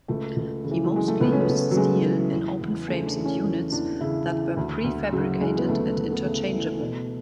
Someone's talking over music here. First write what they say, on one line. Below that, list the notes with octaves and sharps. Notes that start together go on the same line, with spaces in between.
He mostly used steel in open frames and units that were prefabricated and interchangeable.
C#2 A3
C#2
C#3
E3
F#3
E3 G#3
A3
C#2 B3
C#4
B3
C#2 A3
F#3
C#3 G#3
E3
E2
E2
C#3 A3
D4
E3
C#4
E2
E2 D4
C#3 E4
E3
D2
D2
C#3 F#3
E3 G#3
B3
D2 A3
D2
B3
C#3 A3
E3
B2